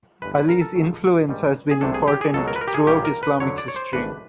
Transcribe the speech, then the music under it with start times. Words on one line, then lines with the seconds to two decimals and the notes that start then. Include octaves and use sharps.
Ali's influence has been important throughout Islamic history.
0.22 G1 G2 E3 G#3 B4
0.35 B4
0.49 A#4
0.62 A4
0.75 C#2 C#3 F#3
1.29 G#2 D#3 G3
1.71 G#4
1.81 C2 C3 E3 A3 D4 A4
1.94 G#4
2.08 G4
2.21 G#4
2.34 C#2 B2 F#3 A4
2.48 A#4
2.56 B4
2.61 A#4
2.68 G4
2.74 G#4
2.87 A#1 A#2 G3 A#3 G4
3.05 A#4
3.23 B4
3.40 F2 D3 F#3 C#5
3.58 D5
3.68 C#5
3.76 C5
3.93 G#1 G#2 E3 A3 D4 B4